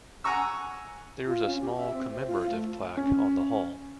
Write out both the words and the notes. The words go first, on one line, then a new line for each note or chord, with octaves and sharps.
There is a small commemorative plaque on the Hall.
F#5 G#5 A#5 C#6 E6
F4
C#4
G4
E5
C4
C5
F4
A3
C#4